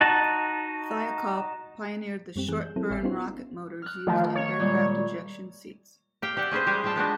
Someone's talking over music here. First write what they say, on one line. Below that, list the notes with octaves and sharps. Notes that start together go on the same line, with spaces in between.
Thiokol pioneered the short-burn rocket motors used in aircraft ejection seats.
D#4 F#4 A5
F#2 G3 C4 G4 E7
E3 G#4 F#6
G6
F#3 C4 E4 A4
A1 C#5 E5 G#5 E6 C7
B3 C#4 D#4 F4 G4 C5
F6 F#6
D#3 F3 A3
C#5
A#2 G3 G#3
G4 F5 G5
G4 D5 E5 F#5
C#4 G#4 B4 C5
G3 G#3 G4 G#4
G3 F4 G5 A5
G#3 B3 D4 F#4